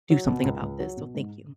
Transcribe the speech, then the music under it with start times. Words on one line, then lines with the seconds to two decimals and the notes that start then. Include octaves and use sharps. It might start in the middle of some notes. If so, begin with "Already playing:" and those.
do something about this, so thank you.
0.10 F#3
0.27 B2
0.44 C#2
0.62 C#2
0.80 F#3
0.97 B2
1.15 G#2